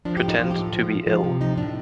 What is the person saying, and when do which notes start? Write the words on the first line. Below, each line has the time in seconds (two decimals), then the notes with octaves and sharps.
Pretend to be ill.
0.05 F3 D4
0.17 G4
0.23 A2
0.28 D#4
0.39 F3 F4
0.51 G4
0.56 A2
0.62 A4
0.73 F3
0.90 A#2
1.07 F3 F4
1.24 C3
1.41 F3 D#4
1.58 A2 D4